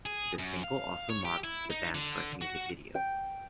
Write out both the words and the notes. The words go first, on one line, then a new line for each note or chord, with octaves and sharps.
This single also marks the band's first music video.
G#4
F#2
F5
C#5
G4
E4
D#4
D3
F#4
G5